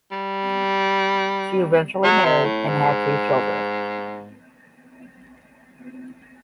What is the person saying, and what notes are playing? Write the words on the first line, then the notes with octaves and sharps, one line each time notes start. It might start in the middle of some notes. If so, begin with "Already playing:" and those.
She eventually married and had two children.
G3
F#3
C3
A2
G#2